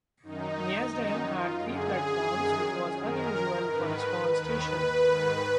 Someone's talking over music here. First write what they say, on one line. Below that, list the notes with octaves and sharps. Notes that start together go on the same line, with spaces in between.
Neasden had three platforms, which was unusual for a small station.
F#2 D#3 D#4
F#2 D#3 D#4
F4
F#2 D3 G#4
F#2 D#3
F#2 D#3 A#4
G#2 D#3 B4
D#2 D#3 B4
G#2 D#3